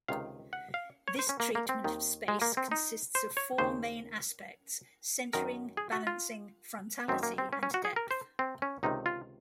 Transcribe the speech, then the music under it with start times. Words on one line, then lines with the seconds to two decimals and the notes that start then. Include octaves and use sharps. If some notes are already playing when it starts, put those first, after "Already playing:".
This treatment of space consists of four main aspects: centering, balancing, frontality, and depth.
0.08 C#2 C3 D#3 F5
0.53 F#5
0.74 F5
1.08 C#5
1.19 C5
1.29 C#4
1.40 A#3
1.55 A#3
1.69 C4
1.84 D#2 D#3
2.28 G#3
2.42 A#3
2.57 C4
2.72 D#4
3.15 C5
3.37 C#5
3.58 D#2 C#3 C5
5.33 F#2 D#3 A#4
5.77 G#4
5.92 F#4
6.07 F4
7.08 F#2 D#3 C4
7.23 A#3
7.38 C4
7.53 C#4
7.63 C#4
7.74 F#4
7.85 G#4
7.96 A#4
8.11 C5
8.39 C4
8.62 C#4
8.83 C#2 C3 D#3 D#4
9.06 F4